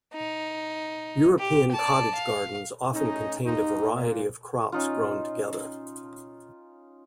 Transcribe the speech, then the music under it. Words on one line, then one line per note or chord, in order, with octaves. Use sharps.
European cottage gardens often contained a variety of crops grown together.
D#4
G4
D5 A5
F5
A3 C#4 D#4
D#2 D#4
A#2
C#4 D#4 F4